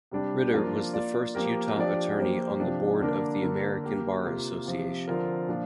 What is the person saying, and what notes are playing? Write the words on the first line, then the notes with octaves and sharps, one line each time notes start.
Riter was the first Utah attorney on the Board of the American Bar Association.
C3 G3 D4 G4
F3 A#3 D4 F4 A#4
A#3 F4 D5
F3 A#3 G4 A#4
F3 D4 G4 D5
F3 A#3 G4 C5
C3 F3 D4 G4
D3 A#3 D4 A#4
D3 A#3 D4 A#4
A#3 G4 A#4
C3 A#3 F4
C3 F3 C4
D3 F3 C4 F4 A#4
A#2 F3 D4